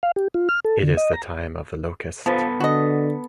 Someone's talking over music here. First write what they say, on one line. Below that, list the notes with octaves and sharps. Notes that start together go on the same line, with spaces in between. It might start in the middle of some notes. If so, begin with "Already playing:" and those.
It is the Time of the Locust.
F5
G4
F4
F6
A4
D3
D#5
A#5
F3 B3 A4 B4
D3 F#4 D#5